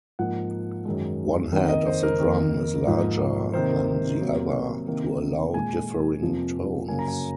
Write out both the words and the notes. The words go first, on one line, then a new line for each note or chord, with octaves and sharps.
One head of the drum is larger than the other to allow differing tones.
G#2 F3 A#3 F#5
F#2 D#3 G#3
F2 D#3 A#3
D#5
C5
A#4
F2 D#3 A#3
G#2 F3 A#3
C3 D#3 A#3 C5
C3 F#3 A#3
C3 D#3 A#3
A#2 G#3 G#5
F2 C3 F3 A#3
F#2 C#3 F#3 A#3 G#5
A#5
G#5